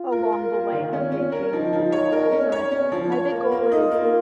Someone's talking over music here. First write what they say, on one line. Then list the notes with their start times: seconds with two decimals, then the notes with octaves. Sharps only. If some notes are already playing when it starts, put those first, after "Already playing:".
along the way of reaching the big goal. So, if my big goal is
Already playing: F4
0.12 A#4
0.32 A#4
0.53 A#3
0.72 D#3
0.93 C#4
1.12 C#4
1.32 A#4
1.52 F3 D#4
1.73 F3
1.92 C#5
2.13 A#4
2.32 C#4
2.52 C#5
2.71 C#4
2.92 F3
3.12 F4 C#5
3.32 A#3
3.52 A#3
3.72 D#4
3.92 A#3